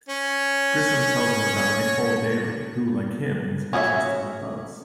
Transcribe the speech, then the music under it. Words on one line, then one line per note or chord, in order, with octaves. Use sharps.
Grissom tells him about "Nicole Daley," who, like him, was interested in bugs.
C#4 C#5
C#4 F#4 G#4 C#5 E5